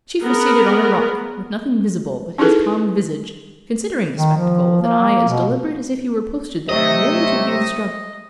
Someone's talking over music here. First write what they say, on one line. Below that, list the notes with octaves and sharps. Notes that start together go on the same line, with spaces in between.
The chief was seated on a rock, with nothing visible but his calm visage, considering the spectacle with an eye as deliberate as if he were posted there merely to view the struggle.
B3 G#4 A#4 B4
C#4 D#4 E4 G#4 A4 B4
D#3
F3
A#3
B2
C3 F#3 A3 D#5 E5